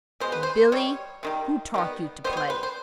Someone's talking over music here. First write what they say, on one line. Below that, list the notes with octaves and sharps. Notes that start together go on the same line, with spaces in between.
"Billy, who taught you to play?"
B2 G#3 B3 C5
B4
C5
B2 G3 C#5
C3 D#3 G3
D#3 G3 B3
B2 G3 B3 C5
C#5
C5
B4
C5